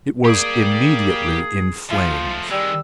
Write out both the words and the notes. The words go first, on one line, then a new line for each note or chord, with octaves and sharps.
It was immediately in flames.
A#3 G4 G#4 D5
F3 A3 F4
D#3 G3 G#3 E6